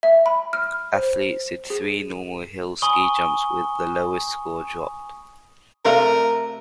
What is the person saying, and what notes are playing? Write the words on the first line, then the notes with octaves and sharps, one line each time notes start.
Athletes did three normal hill ski jumps, with the lowest score dropped.
E5
B5
F6
C5
G#4
G#5 B5 C#6 D#6 G7
C3 F3 A3 A#4 D5 F5